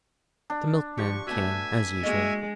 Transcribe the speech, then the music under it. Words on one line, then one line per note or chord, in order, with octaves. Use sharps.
The milkman came as usual.
D4
F3 G4 C#6
A3 B3 F#4 E5 G#5
G#3 A#3 F#4 D#5